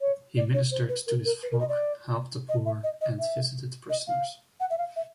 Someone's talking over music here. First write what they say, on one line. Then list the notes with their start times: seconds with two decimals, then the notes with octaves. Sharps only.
He ministered to his flock, helped the poor and visited prisoners.
0.01 C#5
0.37 D5
0.54 C#5
0.71 C5
0.89 B4
1.07 A#4
1.25 A#4
1.43 B4
1.51 A#4
1.60 D#5
1.69 D5
2.49 D#5
2.66 E5
2.84 D#5
3.01 D#5
3.19 E5
3.90 D#5
4.08 F5
4.60 F#5
4.70 E5
4.78 F5
4.96 E5